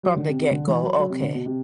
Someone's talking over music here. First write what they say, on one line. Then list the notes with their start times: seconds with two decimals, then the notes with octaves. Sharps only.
From the get-go, okay.
0.03 F#3
0.16 D3
0.28 C3
0.39 C3
0.51 D3
0.67 E3
0.82 F#3
0.99 F#3
1.10 C3
1.22 D3
1.34 B2
1.46 C3